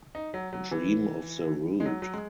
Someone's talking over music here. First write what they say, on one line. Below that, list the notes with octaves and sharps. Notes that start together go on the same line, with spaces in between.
Dream of the Rood.
D#4
F#3
F#3
E3
G#3
F#3
F#3
G#3